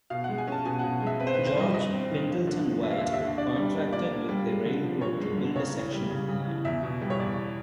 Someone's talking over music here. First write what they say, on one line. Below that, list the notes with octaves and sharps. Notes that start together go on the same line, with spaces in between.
George Pendleton White contracted with the railroad to build a section of the line.
B2 F5
F#5
G#3
G#5
C#4 A5
B2 G#5
B2 F#5
G#3 E5
C4 B4
C5
D#3 B4
C5
G3 D#5
G2 D#5
C4
D#3
D#2
D3
F3
D#2 E5
F5
E5
D#2 F5
E5
D3
D4 D5
G3
A#3
A#2 D5
D4
G3
G#3
D3
F3
F#2 C#5
G#3
D3
C#3 C#5
E3
G3
C#3
C#3
E3
E2 E5
B2
G3
C#5
E2 D5